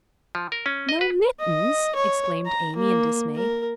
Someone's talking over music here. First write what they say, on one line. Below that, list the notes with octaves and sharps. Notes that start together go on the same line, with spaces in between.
"No mittens!" exclaimed Amy in dismay.
F3
A#4
C#4
D#5
B4
D#5
C#5
A#5
A#3
A#4